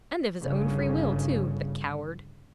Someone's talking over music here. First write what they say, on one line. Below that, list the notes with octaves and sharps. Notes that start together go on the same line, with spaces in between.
And of his own free will, too, the coward!
G1 C#3